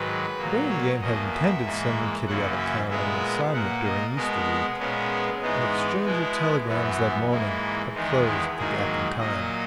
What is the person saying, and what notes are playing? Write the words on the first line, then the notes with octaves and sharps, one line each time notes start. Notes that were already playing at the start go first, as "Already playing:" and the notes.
Burlingame had intended sending Kitty out of town on an assignment during Easter week. An exchange of telegrams that morning had closed the gap in time.
Already playing: G#2 D#3 F#3 B4
A#2 F#3 A#3
C#5
E2 B2 A#3 D#5
E5
G#2 E3 A#3
F#2 C#3 E3 A#3 F#5
E5
A#2 G#3 B3 E5
A#2 A#3 F#5
D#5
B2 G#3 B3 A#4
A#2 G#3 B3 C#4
G#2 E3 G#3 B3 D#4
B2 G#3 B3 E4
F#2 E3 B3 F#4
G#2 E3 A#3 E4
E2 D#3 G#3 B3 D#4
E4
G#2 D#3 F#3 A#3 G#4
A#2 F#3 A#3 D#5